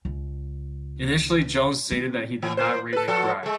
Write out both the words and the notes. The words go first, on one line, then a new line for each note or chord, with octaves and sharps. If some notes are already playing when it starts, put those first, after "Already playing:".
Initially, Jones stated that he did not rape McBride.
C#2
C4
E3
A#3 C5
A4 B4
F3 F#4 A4
G#3 A3